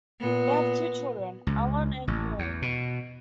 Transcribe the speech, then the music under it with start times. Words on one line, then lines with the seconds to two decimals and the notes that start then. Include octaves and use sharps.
They have two children, Alon and Yoav.
0.20 A#2 B3
1.47 C#2
2.08 A1
2.39 E2
2.62 B2